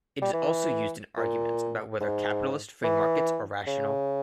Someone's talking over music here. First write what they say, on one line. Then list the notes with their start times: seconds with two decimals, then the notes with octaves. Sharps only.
It is also used in arguments about whether capitalist free markets are rational.
0.22 G3
0.33 E3
1.17 A#2
2.01 G#2
2.84 E3
3.67 C#3